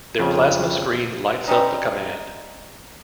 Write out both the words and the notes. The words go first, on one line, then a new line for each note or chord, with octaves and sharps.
Their plasma screen lights up a command.
F2 C#3
G3 C4 C#4 D#4